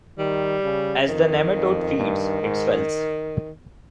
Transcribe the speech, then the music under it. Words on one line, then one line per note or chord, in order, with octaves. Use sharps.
As the nematode feeds, it swells.
D#3 G3
C#3
F2 D#3
F2
G2
G#2